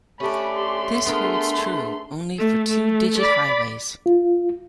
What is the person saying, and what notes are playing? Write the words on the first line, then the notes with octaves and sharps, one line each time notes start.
This holds true only for two-digit highways.
A3 C#4 D4 G4 B5
C6
B3 D4 G#4 A#4
A3
A3
D5 B5
F4